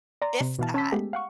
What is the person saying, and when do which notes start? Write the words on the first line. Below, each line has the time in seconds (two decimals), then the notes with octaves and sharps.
If that
0.22 D5 A#5 C6
0.41 C3
0.59 B2 E3 F5 A5
0.74 C#4 A5 E6 B6
0.92 G#3 A3 B3 G4
1.13 F5 F#5 C#6